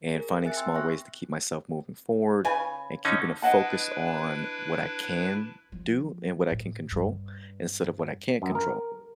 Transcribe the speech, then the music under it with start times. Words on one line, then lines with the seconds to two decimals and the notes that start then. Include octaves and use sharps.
and finding small ways to keep myself moving forward, and keeping a focus on what I can do and what I can control instead of what I can't control.
0.12 G#4 A#4
0.30 A#6
0.44 C4 E5 G#5 F#6 A6 C#7
0.57 G5 C6 E6
0.74 B3 C#6 F6 F#6 A#6
2.45 C#3 B4 G#5
3.05 D3 C#4 D#4
3.42 D4 E4 B4 D#5 F#5 A5
5.72 F3
6.51 A2
6.92 G2
8.42 F#2
8.55 A#4